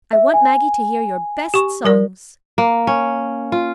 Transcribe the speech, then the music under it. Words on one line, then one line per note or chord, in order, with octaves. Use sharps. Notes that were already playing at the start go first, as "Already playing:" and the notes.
"I want Maggie to hear your best songs."
E5
G#5
G4 C#6
G3 A#4 D5
A#3
C#4
F4